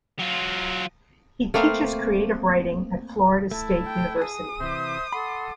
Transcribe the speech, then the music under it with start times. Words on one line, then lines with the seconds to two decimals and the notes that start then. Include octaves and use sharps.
He teaches creative writing at Florida State University.
0.19 F#3 F4
1.54 A3 A#3 C4 F5
3.51 A3 E4 A5
3.86 G5
4.22 G#4 D#6
4.60 C3 E3 C5 E5
5.13 A4 F#5 B5 C6 D6